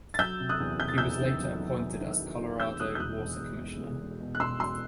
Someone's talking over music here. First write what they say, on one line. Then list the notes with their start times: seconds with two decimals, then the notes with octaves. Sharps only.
He later was appointed as Colorado Water Commissioner.
0.14 A6
0.19 F#3 E6 G6
0.40 C3
0.49 D#6 F#6
0.60 E2
0.79 C3 G6
0.88 A6
0.97 E2 E6 G6
1.20 D#3
1.40 F#3
1.59 F#3
1.79 F#3
1.99 D#3
2.20 F#3
2.40 D#3
2.60 E2 E6 G6
2.80 E1 D#6 F#6
2.95 G6
2.99 E1 D#6 F#6
3.19 E2
3.40 E2
3.59 E1
3.80 E2
4.00 E1
4.21 B2
4.35 F#6
4.40 B2 C6 E6
4.60 E1 C6 E6